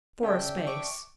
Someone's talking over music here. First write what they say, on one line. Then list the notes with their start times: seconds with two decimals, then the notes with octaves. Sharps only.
For a space.
0.23 C#3 C#4 D4 E5 G5
0.66 C#6 D6